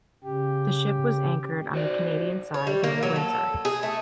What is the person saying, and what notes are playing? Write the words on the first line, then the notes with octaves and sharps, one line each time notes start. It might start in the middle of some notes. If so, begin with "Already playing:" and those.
The ship was anchored on the Canadian side near Windsor.
C#3 G4
F#4 C5 D5
C#5
G3
A#3
F#3
A4
G#4
A3